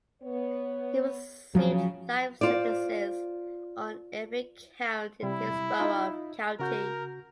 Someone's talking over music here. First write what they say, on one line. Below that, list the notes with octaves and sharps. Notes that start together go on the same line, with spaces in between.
He received life sentences on every count in Hillsborough County.
B3 C#5
C#3 F3 F#3
F4 C5 D5
C3 G3 E4
D#4 F4 D#5
C#3 F#4 A#4 G6